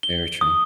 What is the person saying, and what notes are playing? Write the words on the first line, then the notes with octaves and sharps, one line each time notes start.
Very true.
G7
D#6